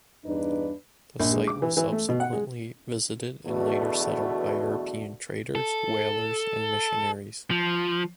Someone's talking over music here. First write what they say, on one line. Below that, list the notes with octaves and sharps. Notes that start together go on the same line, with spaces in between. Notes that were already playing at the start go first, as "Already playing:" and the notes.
The site was subsequently visited and later settled by European traders, whalers and missionaries.
E2 G2 D4 D#4 B4
A#1
G#3
D6
E3
E3
A3
B2
F#5
G#3
E2 B2 D3 A3 F#4
A4
F3